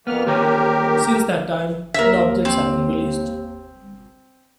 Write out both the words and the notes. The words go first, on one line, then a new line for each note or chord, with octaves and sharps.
Since that time, no updates have been released.
F2 A#3 B3 F6
A#2 D#3 G4 A#4 C#5
D#2 A#4 E5
C4